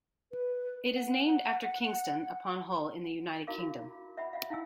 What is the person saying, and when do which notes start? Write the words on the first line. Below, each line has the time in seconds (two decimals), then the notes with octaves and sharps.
It is named after Kingston upon Hull in the United Kingdom.
0.32 B4
0.95 F#5
3.47 E4 F#4 A#4 F5 D6
3.59 F#4
3.81 F4
4.17 E5 F#5 B5
4.33 F5 F#5
4.50 E4 F5 F#5 G#5 E6